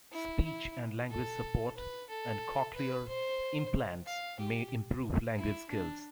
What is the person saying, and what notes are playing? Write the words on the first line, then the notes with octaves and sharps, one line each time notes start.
Speech and language support and cochlear implants may improve language skills.
E4
E4
A4
B4
A4
B4
C5
F5
G4
E4
D4